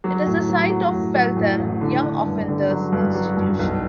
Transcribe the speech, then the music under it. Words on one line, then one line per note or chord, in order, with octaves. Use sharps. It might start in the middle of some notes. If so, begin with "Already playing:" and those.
It is the site of Feltham Young Offenders' Institution.
F#3
A2
F#3
F#3
A2
F#3
A2
A1
D3
D3
G2
D3
F#3
G2
F#3
G2
B1